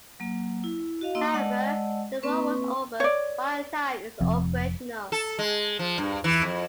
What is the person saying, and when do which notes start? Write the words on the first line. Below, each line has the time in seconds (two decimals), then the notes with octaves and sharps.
However the war was over by the time it was operational.
0.20 F#3 A#3
0.64 E4
1.01 F#4 D#5 F5
1.15 A#3 D#4 D#5 C6 E6
1.34 G#3 D5 D#5 F#5 A5 E6
2.23 A#3 C4 B4 C#6
3.00 C#5 D5
4.21 F1 F2
5.12 A4
5.39 G#3
5.79 F3
5.98 G2
6.24 E3
6.42 F2